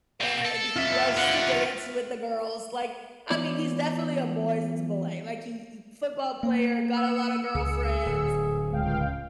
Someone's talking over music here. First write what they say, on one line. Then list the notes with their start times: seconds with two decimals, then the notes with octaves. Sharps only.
and he loves to dance with the girls, like, I mean, he's definitely a boy's boy, like, he he football player, got a lotta girlfriends,
0.21 B2 C4
0.46 A4
0.76 F4 E5
1.17 D3 F#5
3.30 E3 B3 F4 C#5 D5
6.43 A#3
6.97 E6 C#7
7.55 C#2 G#4
8.06 D1
8.72 C#2 F5 G5